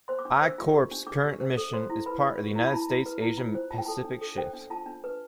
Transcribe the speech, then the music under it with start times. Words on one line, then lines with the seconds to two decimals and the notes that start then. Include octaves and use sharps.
I Corps' current mission is part of the United States' Asia-Pacific Shift.
0.08 C5 C6
0.19 D6
0.25 D4
0.30 D6
0.42 C5 E6
0.58 F4
0.74 G4
0.91 D4
1.07 D4 D6
1.24 G4
1.40 C5
1.57 A4
1.73 C5 C6
1.90 E4
2.06 B4 B5
2.23 G4
2.40 G4
2.55 E4
2.67 B5
2.72 E4 A5
2.88 E4
3.06 B4
3.22 E4
3.38 F4
3.55 C5
3.71 F4 A5
3.78 G5
3.86 A4 A5
4.05 D4
4.21 A4
4.37 C5 G5
4.54 D4
4.70 F4 A5
4.86 D4
5.04 B4